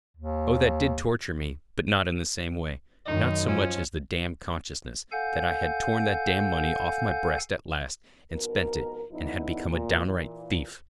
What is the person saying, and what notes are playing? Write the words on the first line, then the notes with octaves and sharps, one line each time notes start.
Oh, that did torture me, but not in the same way: not so much as the damned consciousness that I had torn that damned money off my breast at last and spent it, and had become a downright thief!
D#2
F#2 D#3 D#4
F3 C#4
A4 F5 F#5 G#5 G6
F2 G#2 B2 A#4
B2 D3 F#3 B3 D#4 E4
A#2
A#2 E3